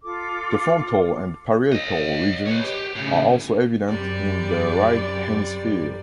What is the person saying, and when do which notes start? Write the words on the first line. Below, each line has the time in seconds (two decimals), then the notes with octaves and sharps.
The frontal and parietal regions are also evident in the right hemisphere.
0.03 F4 A4 D6
1.72 C#5 D#5
2.46 B4 C#5
2.64 G4
2.96 A2 C#3
3.87 F#2 C3 G3 D5